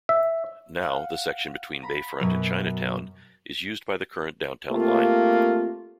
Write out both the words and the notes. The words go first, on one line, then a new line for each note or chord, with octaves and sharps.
Now, the section between Bayfront and Chinatown is used by the current Downtown Line.
E5
F5 F#5
A#5 B5
F#2 B2 F#3
A3 A#3 C4 F4 G4